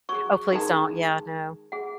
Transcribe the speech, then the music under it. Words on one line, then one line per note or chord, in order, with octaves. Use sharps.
Oh, please don't, yeah, no.
F#3 G#4 C#6
D#3 G#3 A5
G#4 F#5